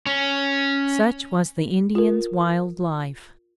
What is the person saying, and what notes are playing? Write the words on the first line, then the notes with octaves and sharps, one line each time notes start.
Such was the Indians' wild life!
C#4
F4 A#4